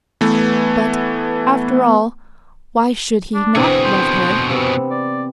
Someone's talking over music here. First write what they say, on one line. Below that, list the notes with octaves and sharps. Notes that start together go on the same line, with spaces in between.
But, after all, why should he not love her?
E3 A3 B3
D4
B2 D3 E3 C4 G#4
C5
C3 B3 C4
D5